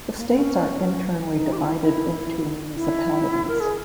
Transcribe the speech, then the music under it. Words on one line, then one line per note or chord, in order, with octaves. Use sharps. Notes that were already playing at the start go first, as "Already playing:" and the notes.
The states are internally divided into municipalities.
A#3
B3
C#4
D#4
G4
E4
E4
E4
A#4
G#4